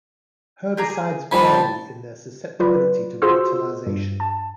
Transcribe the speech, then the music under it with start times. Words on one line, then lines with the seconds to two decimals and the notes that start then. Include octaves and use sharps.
Herbicides vary in their susceptibility to volatilisation.
0.77 G4 G#4 A#5
0.90 G#4
1.32 D#3 F3 G3 G#5 B5
1.44 G5 A5
2.60 F#3 F4 B4 D5
3.22 F4 F#4 G#4 C5 C6 E6
3.86 G2
4.20 A5